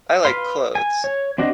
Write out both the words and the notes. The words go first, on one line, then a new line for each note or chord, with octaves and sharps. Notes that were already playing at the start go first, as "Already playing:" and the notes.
I like clothes.
B4 F5 C6
G#5
C#5
C4 D4 F#4 D#5